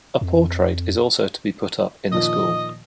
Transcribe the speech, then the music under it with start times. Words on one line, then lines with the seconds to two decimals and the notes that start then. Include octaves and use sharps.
A portrait is also to be put up in the school.
0.21 F2
2.12 A#2 D#3 F3 D#5